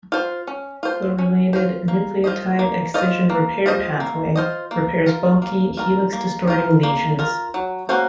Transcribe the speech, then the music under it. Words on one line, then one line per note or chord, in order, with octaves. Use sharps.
The related nucleotide excision repair pathway repairs bulky helix-distorting lesions.
F4 C5
C#4
F4 C5
C#4
F4 C5
A#3
F4 C5 D#5
A#3
F4 C5 D#5
A#3
F4 C5 D#5
A#3
F4 C5 D#5
A#3
F4 A#4
A#3
F4 A#4
A#3
F4 A#4
A#3
F4 A#4
F#3
A#3 C#4 F#4 C5